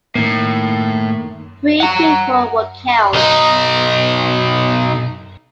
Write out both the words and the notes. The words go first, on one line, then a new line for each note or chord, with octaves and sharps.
Three people were killed.
A2 D#3 A#3
F#5 A#5
B1 D#4